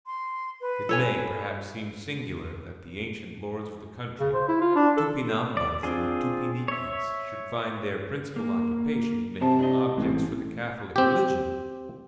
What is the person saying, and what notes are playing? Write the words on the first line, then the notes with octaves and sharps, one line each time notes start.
It may, perhaps, seem singular that the ancient lords of the country, Tupinambas and Tupiniquis, should find their principal occupation in making objects for the Catholic religion.
C6
B4
A4 C#5 G#5
C#3
C5
E4
F4
D4
A4
D5
C4 D4 F4 G#4
C#5 E5
A#3
C3 C5 A5
D4 E4 D#5
A1 G#3 C4
C4 G4